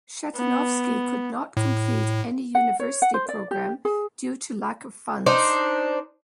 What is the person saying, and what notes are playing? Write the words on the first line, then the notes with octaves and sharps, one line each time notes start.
Shatunovsky could not complete any university program due to lack of funds.
B3
A2
F#5
C#5
F#5
C5
D5
G4
G#4
D4 D#4 C5